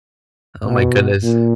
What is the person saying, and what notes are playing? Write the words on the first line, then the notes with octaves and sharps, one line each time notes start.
Oh my goodness.
B2
A#2